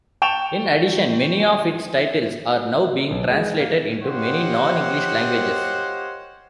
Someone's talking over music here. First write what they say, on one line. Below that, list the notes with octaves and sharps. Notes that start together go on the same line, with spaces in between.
In addition, many of its titles are now being translated into many non-English languages.
G5 A5 C#6 E7 F7
B1
G#3
A#3
G4 C5 C#5 D#5 F5 F#5